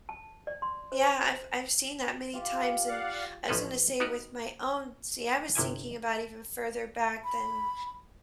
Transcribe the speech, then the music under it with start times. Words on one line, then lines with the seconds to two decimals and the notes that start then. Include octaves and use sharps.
Yeah, I've I've seen that many times, and I was gonna say with my own See, I was thinking about even further back than
0.09 A5
0.47 D5
0.62 C6
0.92 C5
1.08 A5
2.34 F4 G4
2.88 D5 F5 F#5
3.49 A1 A2 F3 C#4 A4 B4
4.00 B3 D#4 F#4 G4 A#4 B4
5.55 G1 C3 E4 G#5
7.24 B5